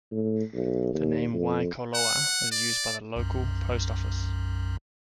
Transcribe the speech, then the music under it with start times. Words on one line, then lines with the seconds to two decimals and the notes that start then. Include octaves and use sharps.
The name Waikoloa is used by the local post office.
0.11 A2
0.54 B1
0.94 D#2
1.33 F2
1.94 F#5
2.51 D5
3.16 B1 F#2